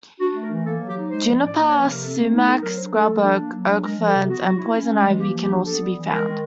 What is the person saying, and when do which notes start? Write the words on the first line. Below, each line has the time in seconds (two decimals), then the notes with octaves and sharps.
Juniper, sumac, scrub oak, oak ferns and poison ivy can also be found.
0.19 D4 F#4
0.34 A3
0.42 A#4
0.50 E3
0.65 A#3 A4
0.79 F#3
0.87 G4
0.95 D#4
1.10 G#3 C5
1.25 F3
1.41 A2 D5
1.55 A#3 D#5
1.67 C#5
1.70 F3
1.78 B4
1.86 C3 A#4
2.01 C4 A4
2.16 A3
2.31 D#4
2.46 B3 A4
2.61 F#3 A#4
2.77 D4 C5
2.91 A3 A4
3.07 F3
3.22 D4
3.37 A#3
3.52 F#3
3.68 D4
3.83 G#3 A#4
3.98 F3
4.05 A4
4.14 C3
4.28 B3 F#4
4.43 F#3
4.58 E4
4.73 C#4
4.88 G#3
5.04 E3
5.19 A#3 G4
5.34 F3
5.42 G4
5.49 D4
5.64 B3 A4
5.79 G3
5.95 E3
6.09 G#3 A#4
6.25 D#3